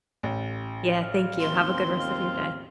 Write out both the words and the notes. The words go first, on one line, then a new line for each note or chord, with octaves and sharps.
Yeah, thank you, have a good rest of your day.
A1
F5
D#2 C4 C6
F4